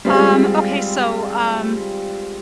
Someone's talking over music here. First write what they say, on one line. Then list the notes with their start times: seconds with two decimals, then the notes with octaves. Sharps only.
Um, okay, so, um,
0.05 G3 G#3 C4 F4 G#4